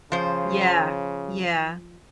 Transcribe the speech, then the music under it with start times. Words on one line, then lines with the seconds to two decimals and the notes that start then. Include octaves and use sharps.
Yeah, yeah.
0.12 C#3 F3 C5